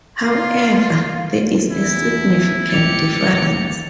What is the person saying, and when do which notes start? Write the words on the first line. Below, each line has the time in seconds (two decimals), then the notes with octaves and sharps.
However, there is a significant difference.
0.25 F4 F5
1.71 E2 E4
2.70 G4 A6 C#7 F7
3.41 D#2